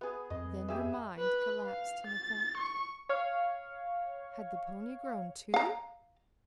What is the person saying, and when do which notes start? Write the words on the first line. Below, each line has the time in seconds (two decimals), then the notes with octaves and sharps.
Then her mind collapsed to the thought--had the pony grown too?
0.01 B3 G#4
0.30 F2 D#5
0.68 G4 G#4 E5
1.19 B4
1.65 F5
2.07 A6
2.57 C#6
3.09 C#5 F5
5.54 F5 A#5